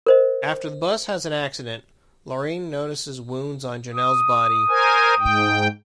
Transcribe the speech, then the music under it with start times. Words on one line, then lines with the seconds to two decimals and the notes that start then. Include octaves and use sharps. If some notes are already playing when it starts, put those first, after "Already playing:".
After the bus has an accident, Lurene notices wounds on Jonell's body.
0.07 A#4 C5 D#5
3.94 D#6
4.69 A#4 C5 G#5
5.19 G#2 G5